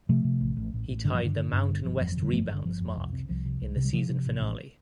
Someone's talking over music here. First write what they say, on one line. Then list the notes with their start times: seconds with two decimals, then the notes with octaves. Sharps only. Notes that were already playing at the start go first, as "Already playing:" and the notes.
He tied the Mountain West rebounds mark in the season finale.
0.09 C3 F3 A3
0.24 C3
0.41 A1
0.57 A1
0.74 A1
0.89 A1
1.04 G2 D3
1.15 F3
1.21 G2 D3
1.37 D3
1.52 G2
1.69 G1 D3
1.85 G1 F3
1.95 D3
2.01 F2 F3
2.12 F3
2.17 C3
2.22 D3 G3
2.33 G1 F3 A3
2.44 F3
2.49 G1
2.54 D3
2.65 G1 F3
2.80 F2
2.96 C2
3.13 C3
3.29 C2 F3
3.45 C3
3.61 C2
3.76 C3
3.85 G3
3.93 C3 F3
4.09 C3
4.25 A1
4.40 A1